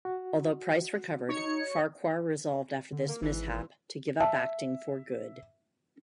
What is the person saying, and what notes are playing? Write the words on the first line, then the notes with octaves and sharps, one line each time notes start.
Although Price recovered, Farquhar resolved after this mishap to give up acting for good.
F#4
D#4 C#5 C#7
D3
A#3
G#1 G#2 E3
E5 A5